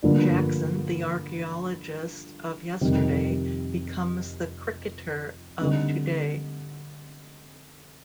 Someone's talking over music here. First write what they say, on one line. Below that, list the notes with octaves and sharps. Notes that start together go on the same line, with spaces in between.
Jackson, the archaeologist of yesterday, becomes the cricketer of today.
G2 D3 F3 A#3 D4
F2 C3 D#3 G3
D3 G3 C4 D#4